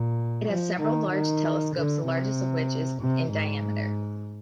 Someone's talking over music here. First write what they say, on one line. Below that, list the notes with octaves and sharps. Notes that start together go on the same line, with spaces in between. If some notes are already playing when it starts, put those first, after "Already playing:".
It has several large telescopes, the largest of which is in diameter.
Already playing: A#2
F3
D#3
D#3
D3
C3
C3
G#2